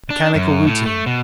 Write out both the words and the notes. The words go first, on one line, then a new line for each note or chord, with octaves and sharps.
Mechanical routine.
D4
F#2
A2
A3
B2